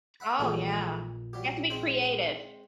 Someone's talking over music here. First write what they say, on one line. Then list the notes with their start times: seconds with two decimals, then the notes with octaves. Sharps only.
Oh, yeah, you have to be creative.
0.20 E5 F#5 B5
0.39 A#1 A#2 E3 G#3 A3
1.33 F#3 G3 G4
1.70 G#3 C4 C5